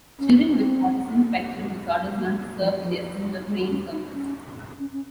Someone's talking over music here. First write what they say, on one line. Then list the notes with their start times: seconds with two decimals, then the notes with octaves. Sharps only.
Children with autism spectrum disorders learn to surf with the assistance of trained surfers.
0.20 C#4
0.53 C4
2.16 A#3
2.61 F3
2.82 F3
3.15 G3
3.47 G#3
3.70 C#4
3.92 D#4
4.14 C#4
4.79 C#4
4.93 C#4